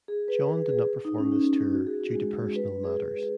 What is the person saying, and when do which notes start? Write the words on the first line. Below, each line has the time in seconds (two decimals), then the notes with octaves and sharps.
John did not perform this tour due to personal matters.
0.08 G#4
0.28 B4
0.49 G#4
0.70 G#4
1.05 D#4
1.18 C#4
1.32 D#4
1.73 F#4
1.87 G#4
2.01 F#4
2.15 G#3
2.56 B4
2.70 B4
2.84 G#4